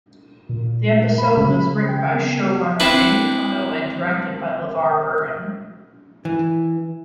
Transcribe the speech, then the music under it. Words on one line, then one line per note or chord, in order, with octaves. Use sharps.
The episode was written by showrunner Manny Coto and directed by LeVar Burton.
A#2
B5
C#3
G5
B3
C4 D4 E4 B4
E3